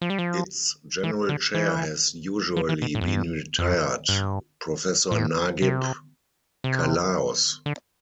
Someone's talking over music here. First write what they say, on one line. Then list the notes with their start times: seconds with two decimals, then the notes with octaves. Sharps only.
Its General Chair has usually been retired Professor Nagib Callaos.
0.02 F3
0.10 G3
0.19 F3
1.03 E3
1.29 D3
1.54 E3
2.57 F3
2.69 E3
2.82 B2
2.95 A2
3.01 F2
3.07 G2
3.59 F2
4.09 G2
5.11 A2
5.62 C3
6.64 C3
7.66 D3